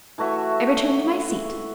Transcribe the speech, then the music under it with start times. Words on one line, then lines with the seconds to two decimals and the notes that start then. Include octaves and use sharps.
I returned to my seat.
0.18 E3 A3 F#4 E5